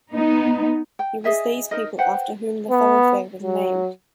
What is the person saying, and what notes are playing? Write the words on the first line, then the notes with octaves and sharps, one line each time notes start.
It was these people after whom the thoroughfare was named.
B3 D#4
G5
G#4 D#5 E5 G#5
D#4 A#4 D#5
B4 C5 F#5 G5
B3
F#3